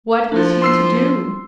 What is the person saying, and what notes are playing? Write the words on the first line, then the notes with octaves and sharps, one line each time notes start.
What was he to do?
F3 D4 E4 F4
C6 E6 C7